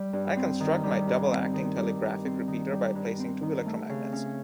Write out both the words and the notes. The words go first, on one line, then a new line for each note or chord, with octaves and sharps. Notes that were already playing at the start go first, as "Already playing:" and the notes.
I construct my double-acting telegraphic repeater by placing two electromagnets.
Already playing: G3
G2
C4
D#3
G3
G2
C4
D#3
G3
G2
C4
D#3
G3
G2
C4
D#3
A3
C#3
C#4